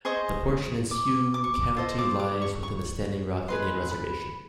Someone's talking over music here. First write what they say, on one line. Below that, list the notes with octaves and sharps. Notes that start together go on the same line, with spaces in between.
The portion in Sioux County lies within the Standing Rock Indian Reservation.
G#4 C5 D#5 C#6
D6
D6
C#6
D6
F4 A4 C5 D#5
D6
D6
C#6
C#6
G#4 B4 D#5 C6
B5